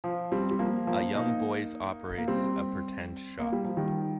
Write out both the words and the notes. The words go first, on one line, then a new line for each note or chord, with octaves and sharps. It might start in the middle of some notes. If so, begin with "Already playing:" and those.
A young boys operates a pretend shop.
F3
G3 C4
G3
F3 A#3
F3 A#3
A#3 D#4
A#3
G3 C4
A#3
G3
F3
D#3 G3